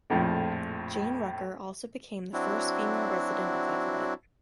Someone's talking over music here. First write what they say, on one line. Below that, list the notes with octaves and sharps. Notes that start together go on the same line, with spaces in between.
Jane Rucker also became the first female resident of Everett.
A#1 F2 A2 F3
F#3 C4 D4 E4 F#4